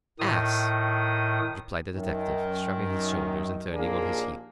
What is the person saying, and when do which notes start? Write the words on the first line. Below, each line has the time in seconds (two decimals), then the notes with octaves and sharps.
"Ass!" replied the detective, shrugging his shoulders and turning on his heel.
0.19 A2 D#3 D#6
1.94 F#2 D#3
3.72 A#1 D#2 A#2 A#3 D4 G#4